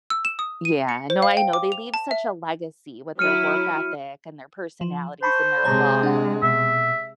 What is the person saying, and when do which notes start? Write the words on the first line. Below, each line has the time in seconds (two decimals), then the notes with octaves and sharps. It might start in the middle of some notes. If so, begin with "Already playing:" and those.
Yeah, no, I know, they leave such a legacy with their work ethic and their personalities and their love.
0.10 E6
0.25 E7
0.39 D#6
0.65 D#7
0.89 C#7
1.10 C5
1.22 F5
1.37 G5
1.53 D6
1.72 F7
1.94 A5
2.11 E5
3.19 F#3 E4 F6 C#7 D#7
4.81 F3
5.23 C5 A5 B5 C#6
5.64 C3 G#3 C#5 A5 A#5
6.03 D4 F#5
6.43 B2 E5